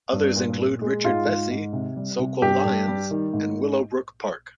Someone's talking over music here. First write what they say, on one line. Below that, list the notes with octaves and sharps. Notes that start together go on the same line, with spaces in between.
Others include Richard Vessey, Soquel Lions, and Willowbrook Park.
G2
A#2
A#2
G#3
G#2 F4
G#2
G#2
C3
G3
C3
G2 G4
G2
G3
D#3
G#2